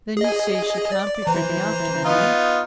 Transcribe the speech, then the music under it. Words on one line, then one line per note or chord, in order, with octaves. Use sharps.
'Then, you see, she can't be fretting after them, eh?
G#4 D#5
D5
E3 C5 A#5
B3 D#4 F4